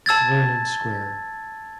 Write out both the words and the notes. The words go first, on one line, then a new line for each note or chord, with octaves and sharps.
Vernon Square.
A5 E6 G#6 A6